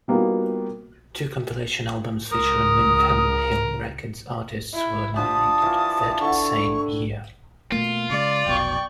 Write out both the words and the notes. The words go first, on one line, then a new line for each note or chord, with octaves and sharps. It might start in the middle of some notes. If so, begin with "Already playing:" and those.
Two compilation albums featuring Windham Hill Records artists were nominated that same year.
G3 A#3 B3 D#4 F4 F#4
C#2 A#4 D#6
E4
F3 D4 G4 A5 D#6
E3 F4
D3 E4 C#6
B2 A3 A#3 F4
C#3 G#3 D5
F1 B1 B2 G5 C#6